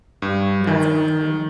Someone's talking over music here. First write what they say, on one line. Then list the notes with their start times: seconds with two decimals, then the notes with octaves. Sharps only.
That's awesome.
0.22 G2
0.67 D#3